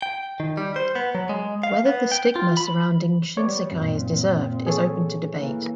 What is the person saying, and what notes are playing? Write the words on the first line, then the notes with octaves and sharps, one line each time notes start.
Whether the stigma surrounding Shinsekai is deserved is open to debate.
G5
D#3
G3
C5
B3
F#3
G#3
F5
B3
G5
F4
B5
G3 B3 C#5 D5
F#2 A#2 C4
G#4 A4 C#5
E3 A#3